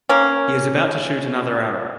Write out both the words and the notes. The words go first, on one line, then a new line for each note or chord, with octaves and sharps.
He is about to shoot another arrow.
A#3 C#4